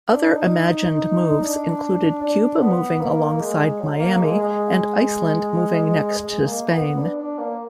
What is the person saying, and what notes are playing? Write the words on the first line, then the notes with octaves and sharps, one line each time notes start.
Other imagined moves included Cuba moving alongside Miami, and Iceland moving next to Spain.
D4
D#4
D4
D4
B3
A#3
G#3
F#3
A#3
G#3
G#3
G#3
A#3
B3
D4
D4
A#3